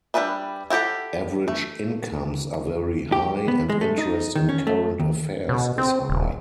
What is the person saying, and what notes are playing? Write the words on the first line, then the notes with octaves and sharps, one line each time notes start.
Average incomes are very-high and interest in current affairs is high.
G3 D4 A4 B4 E5
E4 F#4 G4 A4 F#5
A3
G4
B3
G#3
A3
D#4
D#3
C#4
A3
D#2
B2
C4
D#1